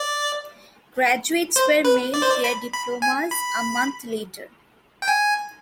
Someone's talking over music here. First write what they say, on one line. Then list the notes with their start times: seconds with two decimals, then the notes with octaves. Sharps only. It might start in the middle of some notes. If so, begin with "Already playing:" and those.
Graduates were mailed their diplomas a month later.
Already playing: D5
1.56 C5
1.85 B4
2.14 D5
2.22 C5
2.30 D5
2.44 B5
2.73 B5
3.02 G#5
3.31 B5
5.02 G5
5.08 G#5